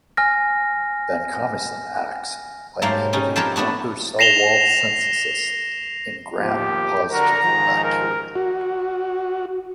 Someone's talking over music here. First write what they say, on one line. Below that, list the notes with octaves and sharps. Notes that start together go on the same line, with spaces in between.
Vancomycin acts by inhibiting proper cell wall synthesis in Gram-positive bacteria.
G#5 F6 A#6
G#2 F#3 A3 A#3 G4 F5
G3 C#4 D#4
F3 C4 G4 A#4 B4 C#5
A3 B3 D4 F#4
A#6 C7 E7 F7 G7
D#2 F3 G4
D3 F#4 A#4 A#5
G#2 D#3 F3
A#4
F#4